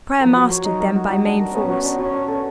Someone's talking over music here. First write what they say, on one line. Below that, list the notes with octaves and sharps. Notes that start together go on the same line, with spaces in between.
Prayer mastered them by main force.
F3 A#4
F#4
C#5
F#3 D#4
A#4
F#4
G3 F#4
D4
A#4
B3 C#4
F#4
D4
C#4 F#4
D4
A4